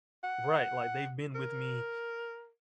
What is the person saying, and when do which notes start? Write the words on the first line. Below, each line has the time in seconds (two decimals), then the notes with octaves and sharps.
Right, like they've been with me
0.24 F#5
1.35 A#4